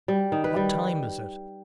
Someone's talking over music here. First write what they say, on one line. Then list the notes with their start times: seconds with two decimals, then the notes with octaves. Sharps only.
"What time is it?"
0.08 G3
0.32 D#3
0.44 B4
0.57 G3